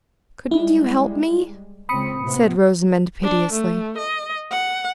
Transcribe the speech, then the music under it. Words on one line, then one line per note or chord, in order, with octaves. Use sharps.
"Couldn't you help me?" said Rosamond piteously.
G3 G#3 E4
C#2 C4 B5 D#6 C#7
A2 C3 B3
D4
A3
D#5
F#5